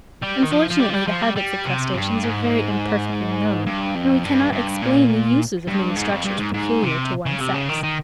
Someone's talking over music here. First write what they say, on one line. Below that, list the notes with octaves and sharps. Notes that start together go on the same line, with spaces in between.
Unfortunately the habits of crustaceans are very imperfectly known, and we cannot explain the uses of many structures peculiar to one sex.
G3
D#3
F3
F3
G3
F3
G3
F3
G3
G3
C3
G2
G#2
G2
F2
G2
G2
A#2
G2
G#2
F2
G2
G#2
G#2
C3
C#3
C3
C#3
D#3
D#3